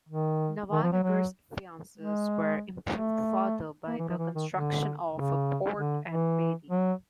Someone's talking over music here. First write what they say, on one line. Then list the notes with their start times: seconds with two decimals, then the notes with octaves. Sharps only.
Nawanagar's finances were improved further by the construction of a port at Bedi.
0.09 D#3
0.72 D#3
0.83 F3
0.93 F#3
1.04 F#3
1.98 G#3
2.93 A3
3.87 A#3
3.98 E3
4.09 F3
4.18 E3
4.35 D#3
4.51 D3
5.13 C#3
5.76 D3
6.08 E3
6.71 F#3